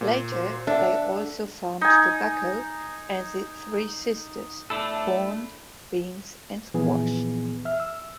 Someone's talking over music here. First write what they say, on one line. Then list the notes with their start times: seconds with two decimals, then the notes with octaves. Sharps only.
Later, they also farmed tobacco and the "three sisters": corn, beans, and squash.
0.01 A#2
0.32 F#4 C5
0.67 D4 A4 E5 F#5
1.81 D#4 G#5
4.70 A3 D4 E4 A4
6.74 A#2 E3 F3 B3 G#4
7.65 E5 F6
7.80 E6